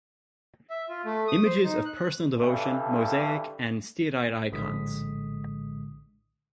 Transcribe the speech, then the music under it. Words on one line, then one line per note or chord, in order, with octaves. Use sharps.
Images of Personal Devotion: Mosaic and Steatite Icons.
E5
F4
A3
D#6
C5
D#4
F#6
G2 D3 E3 D4
A#1 A2 D3 G#3 D#6 B6